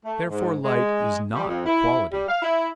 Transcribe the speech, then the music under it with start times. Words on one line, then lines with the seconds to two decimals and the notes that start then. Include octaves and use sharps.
Therefore light is not a quality.
0.04 A3
0.28 G#2
0.63 G#3
1.33 G3
1.47 F2
1.65 E4
2.11 G3
2.28 F5
2.41 E4